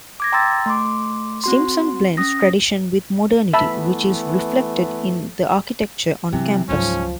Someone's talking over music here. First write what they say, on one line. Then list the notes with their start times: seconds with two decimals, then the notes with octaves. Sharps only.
Simpson blends tradition with modernity which is reflected in the architecture on campus.
0.20 D6 G#6 A#6
0.32 G5 A#5 C6 E6 A6
0.66 A3 C6 D6
1.44 C4 F#4 C6
2.17 C#4 D#6 A#6
3.53 E3 A3 B3 E5 A5 B5
6.32 C3 E3 F#3
6.69 C#2 G#2 F3 F#3 C#4